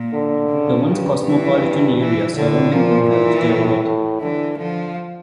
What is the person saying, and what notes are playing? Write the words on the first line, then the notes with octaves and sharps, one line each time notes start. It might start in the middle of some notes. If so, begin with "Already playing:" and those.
The once cosmopolitan areas surrounding them have deteriorated.
Already playing: A#2
D3
C#3
G2
E3
E3
A2 D3
A#2 F3
E3
A2
A2
D3 E3
D3 F3